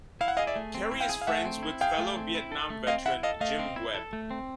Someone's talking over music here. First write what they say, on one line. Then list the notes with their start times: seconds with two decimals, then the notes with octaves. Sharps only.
Kerrey is friends with fellow Vietnam veteran Jim Webb.
0.21 E4 F5
0.28 F#5
0.37 G#4 D#5 F5
0.47 D5 E5
0.56 A3
0.75 C4
0.91 E4
1.00 F5 G5
1.09 G#4
1.21 F5
1.27 A3 E5 F#5
1.45 C4
1.63 E4
1.81 G#4 F5 G5
1.98 A3
2.17 C4
2.35 E4
2.52 A4
2.70 A3
2.87 C4 D#5 F5
3.06 E4 E5 F#5
3.23 A4 D#5 F5
3.41 A3 D#5 F5
3.59 C4
3.76 E4
3.94 A4
4.13 A3
4.31 C4